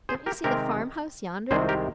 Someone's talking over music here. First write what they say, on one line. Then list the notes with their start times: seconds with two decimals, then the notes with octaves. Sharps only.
Don't you see the farm-house yonder?
0.09 G#4 C5
0.26 G4 A#4
0.44 C3 D#3 G#3 C4 G4 A#4
1.51 C2 C3 D#3 G#3 C4 G#4 C5
1.69 G4 A#4